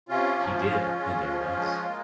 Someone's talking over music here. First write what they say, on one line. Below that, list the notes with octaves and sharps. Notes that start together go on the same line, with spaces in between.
He did, and there was.
C3 C#4 F4
F3
G#3
G#3
F3
G#3
A#3